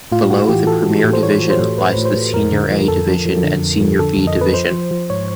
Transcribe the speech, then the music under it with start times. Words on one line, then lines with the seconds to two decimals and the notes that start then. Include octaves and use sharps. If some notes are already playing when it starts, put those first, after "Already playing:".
Below the Premier Division lies the Senior A Division and Senior B Division.
0.12 A2 F4
0.30 A2 F#4
0.49 E3 G4
0.67 E3 A4
0.86 E3
1.04 A2
1.13 C5
1.23 E3 C#5
1.41 E3
1.50 C5
1.59 A2
1.78 A2 B4
1.96 A2
2.05 C5
2.15 A2
2.33 F2 A#4
2.52 D3
2.70 F3
2.88 F2 A4
3.07 F3
3.25 F3
3.43 D3
3.62 F2
3.80 F3
3.99 D3 A4
4.17 F2
4.27 D#5
4.36 F2 B4
4.54 F3 C5
4.73 F3
4.91 F3
5.10 G#2 C#5